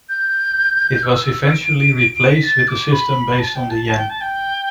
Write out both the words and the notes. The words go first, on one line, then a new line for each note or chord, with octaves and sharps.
It was eventually replaced with a system based on the "yen".
G6
E6
D7
B6
A6
D6
B5
A5
G5
A5
A5
G5
A5
G5